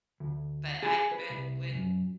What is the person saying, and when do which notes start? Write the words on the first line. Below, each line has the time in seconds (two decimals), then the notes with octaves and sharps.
But I eh, when
0.20 D2
0.83 G#4
1.11 B4
1.30 C2
1.74 F#2